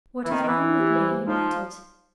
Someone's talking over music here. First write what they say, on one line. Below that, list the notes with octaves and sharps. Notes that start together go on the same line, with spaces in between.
"What is wrong with me?" he muttered.
E3
D#3 C4
D#3
E3 C4
E4
G4
C5
A#3
F3 D#4